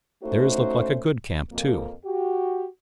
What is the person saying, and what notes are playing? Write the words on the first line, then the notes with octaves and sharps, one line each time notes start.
Theirs looked like a good camp, too.
A3 C#4 D#4 F#4 A4 C5
F2 A#3
F#4 G4